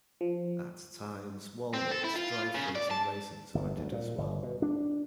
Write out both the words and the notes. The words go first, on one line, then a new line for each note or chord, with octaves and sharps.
At times, walnuts, dried fruit and raisins are added as well.
F3
C4
A4
E4
F4
C#3
D5
A5
G1
D2
A#2
G1
B2
D4